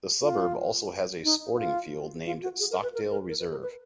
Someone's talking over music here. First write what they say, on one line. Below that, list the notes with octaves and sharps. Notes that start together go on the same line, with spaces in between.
The suburb also has a sporting field named Stockdale Reserve.
F4
D#4
F#4
F4
F4
F#4
G#4
A#4
B4
A#4
A#4
A#4
B4
A#4
B4